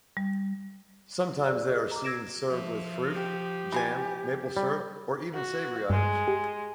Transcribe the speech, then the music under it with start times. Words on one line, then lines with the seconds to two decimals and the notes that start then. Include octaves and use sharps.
Sometimes they are seen served with fruit, jam, maple syrup, or even savory items.
0.17 G3
1.46 G#4 D5 E6
1.69 G#4 D#5
1.91 A#5 D6
2.04 E6 G#6 A#6 D7 E7
2.48 F3 E5
3.14 G4
3.72 E3 C4 G#5
4.57 G3
5.34 F#4
5.90 G2 G#3
6.28 G4